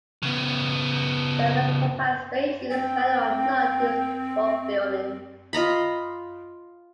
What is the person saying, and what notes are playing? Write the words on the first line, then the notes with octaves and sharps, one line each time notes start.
Service providers may choose whether or not to use bulk billing.
C#3 B3
C4 G5
F4 D#5 A#5 B5